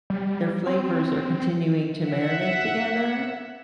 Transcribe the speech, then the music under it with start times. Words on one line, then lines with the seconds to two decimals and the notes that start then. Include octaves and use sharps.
their flavors are continuing to marinate together,
0.10 G3
0.67 C4
2.06 E5 F#5